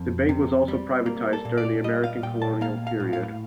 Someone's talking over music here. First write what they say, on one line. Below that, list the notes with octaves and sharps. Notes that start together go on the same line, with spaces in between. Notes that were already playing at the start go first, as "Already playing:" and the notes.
The bank was also privatized during the American colonial period.
Already playing: F2
C3
G3
A#3
A4
A#2
D5
G3 D#5
F5
A#2 G5
A5
A#3 F5
F5
A2
F5